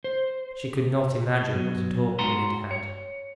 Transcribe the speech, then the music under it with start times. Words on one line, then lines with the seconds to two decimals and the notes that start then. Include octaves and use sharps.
She could not imagine what a talk we had had.
0.04 C5
1.55 B2 F#3
2.19 G#2 F#4 A#5 C6
2.71 C#5